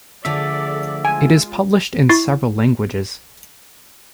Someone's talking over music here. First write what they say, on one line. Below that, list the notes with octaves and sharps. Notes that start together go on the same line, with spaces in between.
It is published in several languages.
D3 F3 A3 G#4 A4 D5 E5
G#3 F4 G#5
E4 C#6 A6 C7